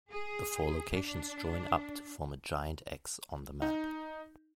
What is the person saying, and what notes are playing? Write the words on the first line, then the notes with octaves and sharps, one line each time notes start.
The four locations join up to form a giant X on the map.
G#4
D4
D#4